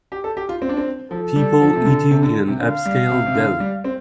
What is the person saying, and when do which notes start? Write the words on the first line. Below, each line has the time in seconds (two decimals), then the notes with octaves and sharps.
People eating in an upscale deli.
0.12 G4
0.24 A4
0.37 G4
0.49 F4
0.62 C4
0.69 D4
0.77 C4
1.11 F3 A4
1.36 G3
1.61 F3
1.75 C3
1.86 D3
2.11 C3
2.23 D3
2.48 C3
2.60 D3 F5
2.85 G3
3.10 C3
3.26 C3
3.35 D3
3.60 G3
3.84 C4